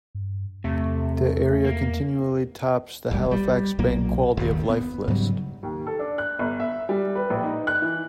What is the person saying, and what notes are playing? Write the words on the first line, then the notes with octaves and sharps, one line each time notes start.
The area continually tops the Halifax Bank Quality of Life list.
G2
E2 C3 A3
A#3
D#1 A#1 G3
G3
B1 A#2 F#3 A#3
F#1 D#2
B3
G#2 C#3 F#3 G3
D#2
A4
D4
F#6
G1
E5
G3
B4
A#1
D#4
F#6
E3